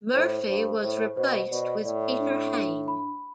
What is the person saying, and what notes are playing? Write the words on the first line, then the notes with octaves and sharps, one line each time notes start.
Murphy was replaced with Peter Hain.
A2 C5
G2 C5
A2 C5
B2 C5
B2 D5
A2 D5
D4
D4
B5